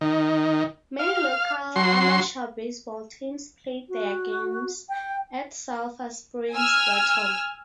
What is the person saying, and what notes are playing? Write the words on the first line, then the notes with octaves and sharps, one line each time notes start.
Many local amateur baseball teams played their games at Sulphur Springs Bottom.
D#3
F5
F#3 C6
F#4
G5
G#5 E6 F6